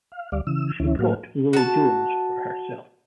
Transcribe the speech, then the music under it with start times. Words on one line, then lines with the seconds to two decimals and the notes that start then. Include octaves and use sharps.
She brought Lily Jones for herself.
0.12 F5
0.32 D2 G3 D5 F5
0.47 C#3 E3 E6
0.80 D2 E3 C#4 E4
0.99 A2 F#3 A#3 F#4 F5
1.53 F#4 A5